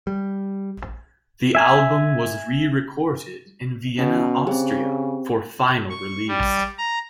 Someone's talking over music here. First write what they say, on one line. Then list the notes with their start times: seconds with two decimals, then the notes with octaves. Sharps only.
The album was re-recorded in Vienna, Austria for final release.
0.07 G3
1.55 E5 G#5
3.99 B2 C#4
4.47 C#3 C4 G4
5.90 C#6
6.28 G3
6.78 A#5